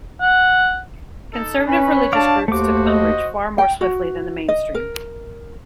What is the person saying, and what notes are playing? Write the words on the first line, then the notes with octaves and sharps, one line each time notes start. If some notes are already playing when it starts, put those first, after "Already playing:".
Conservative religious groups took umbrage far more swiftly than the mainstream.
F#5
D#4 A4
C#4 B4 C#5 B5
D4 F#4 D5 F5 A5
D#2 A3 F#4 C5 D6
D#5
G5
F#4
D#5
A#4